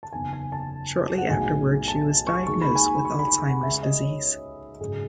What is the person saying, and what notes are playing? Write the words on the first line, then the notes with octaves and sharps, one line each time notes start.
Shortly afterwards she was diagnosed with Alzheimer's disease.
A5
F#1 E2 D#3 G#5
G#5
A5
F#5
B1 A2 G#3 G#5
A5
C#6
D#2 D#3 G#3 C#6
B5
G#5
C#6
B5
F#5
C#2 C#3 G#3 E5
D#5
C#5
G#1 F#2 C#3 G#3 G#4